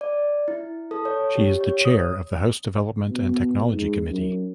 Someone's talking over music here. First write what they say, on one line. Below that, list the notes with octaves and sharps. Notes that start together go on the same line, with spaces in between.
She is the chair of the House Development and Technology committee.
D5
E4
A4
C#5
G4
C#5
D#6
B2
G#2
F#2